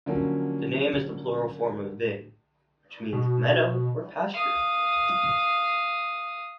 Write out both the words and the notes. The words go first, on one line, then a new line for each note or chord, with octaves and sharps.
The name is the plural form of "vin" which means "meadow" or "pasture".
D3 F3 F#3 A#3 C#4
B2
F5 D#6